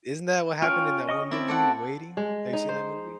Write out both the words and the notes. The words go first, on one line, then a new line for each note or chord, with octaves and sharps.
isn't that what happened in that one movie, Waiting? Have you seen that movie?
C#4 F4 G5 F6
D#5 C#6 D#6
C4 E4 D5
A4 D5 F#5
G#3
D#4
C5